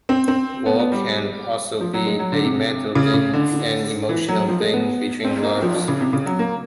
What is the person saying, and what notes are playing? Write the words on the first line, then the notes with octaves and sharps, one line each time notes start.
War can also be a mental thing, an emotional thing between loves.
C4
C4
B3
B3
G3
F3
F#3
G#3
F#3
D3
C3
C#3
C#3
D3
E3
F#3
F3
G#3
B3
C4
A#3
F3
F3
C#3
C3
C#3
F#3
A#3